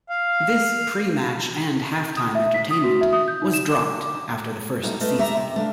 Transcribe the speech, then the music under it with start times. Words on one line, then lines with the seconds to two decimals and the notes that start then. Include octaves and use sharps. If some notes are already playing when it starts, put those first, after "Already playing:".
This pre-match and half-time entertainment was dropped after the first season.
0.09 F5
2.17 D#6
2.35 E5
2.54 B6
2.71 D#6
2.84 F#4
3.01 E5
3.13 D#6
3.28 G6
3.42 D#4
3.54 E7
3.71 D6
4.83 A2 F#3 A#3 D#4
5.01 A3 E4 A#4 B4 D#5
5.18 G4 E5 A#5
5.37 C3
5.56 A3 D4 F5